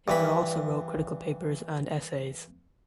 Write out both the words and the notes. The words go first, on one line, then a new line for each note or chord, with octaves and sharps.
Taylor also wrote critical papers and essays.
G2 E3 B5